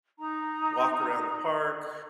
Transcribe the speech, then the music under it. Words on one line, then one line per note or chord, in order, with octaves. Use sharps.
walk around the park,
D#4 A#5